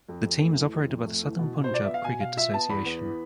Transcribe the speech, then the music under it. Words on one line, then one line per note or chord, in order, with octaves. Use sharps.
The team is operated by the Southern Punjab Cricket Association.
F2
F2
A3
E3
F2
F2
A3
E3
B2
B2
C5
F4 D5
B3 E5
F5
B2 G#5
B2 F5
F4 E5
B3 A5
E2 B5
B3
E3